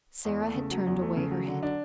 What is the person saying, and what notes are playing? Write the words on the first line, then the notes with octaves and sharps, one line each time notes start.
Sara had turned away her head.
E2
A3
C#3
F#3
E2
A3
C#3
F#3
D3
D4